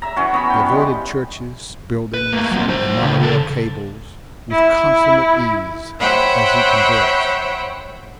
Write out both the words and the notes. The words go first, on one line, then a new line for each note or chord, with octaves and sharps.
He avoided churches, buildings, and mono-rail cables with consummate ease as he conversed.
E5 A#5
E3 F#3 C#4 F#4
B3 B5
C#4 G5
G3 G#3
B4
A3 A#3
F#3 C4
D4 C5
C#2
C#3 A4
E4
C5 C#5 E5 F#5 G5 B5